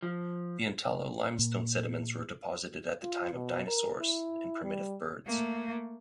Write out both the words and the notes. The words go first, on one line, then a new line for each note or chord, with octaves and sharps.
The Antalo Limestone sediments were deposited at the time of dinosaurs and primitive birds.
F3
A#2
F4
B2
A#4
E4
G3
A3 A#3